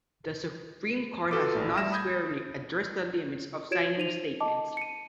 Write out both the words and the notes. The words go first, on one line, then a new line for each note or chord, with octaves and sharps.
The Supreme Court has not squarely addressed the limits of signing statements.
F4 F#4 A4 B4 D6 D#6
A#1 A2
G3 E5 A#6 E7
B5 D#6 G6 G#6
F4 F#4 C#5 G#6 D7 E7
D#4 C5 D#7 F7
D#5 A5 D6
C#7 D#7